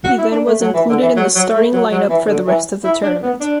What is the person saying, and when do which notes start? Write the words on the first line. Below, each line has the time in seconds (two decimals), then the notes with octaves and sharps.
He then was included in the starting lineup for the rest of the tournament.
0.04 F#4
0.18 E4
0.32 D4
0.46 A3
0.60 F#3
0.74 E3
0.89 D3
1.02 E3
1.16 F#3
1.35 F#3
1.54 A3
1.73 F#3
1.92 F#3
2.10 E3
2.28 D3
2.47 E3
2.84 E4
3.03 D4
3.22 B3
3.40 D4